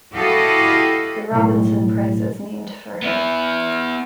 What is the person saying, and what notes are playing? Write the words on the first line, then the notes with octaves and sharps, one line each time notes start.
The Robinson Prize is named for her.
E4 F#4 G4 A4 D#5 F5
B1 A2
B3 E4